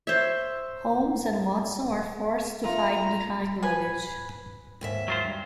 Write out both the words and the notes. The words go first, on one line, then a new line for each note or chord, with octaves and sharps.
Holmes and Watson are forced to hide behind luggage.
C5 C#5 E5
A3 F4 A#5
B4 G#5
D#2 G#2 E5
F#3 F4 C5
G2